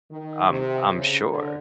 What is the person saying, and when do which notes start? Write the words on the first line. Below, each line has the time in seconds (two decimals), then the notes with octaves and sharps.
I'm I'm sure.
0.11 D#3
0.49 C3
0.96 C#3
1.30 D3